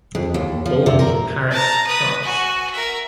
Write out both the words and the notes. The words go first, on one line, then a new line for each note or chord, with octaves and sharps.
Born in Paris, France.
F2
D#2
F3
C3
A#4
A5 A#5
B4 D#6
F#4 G#5
A#4 E5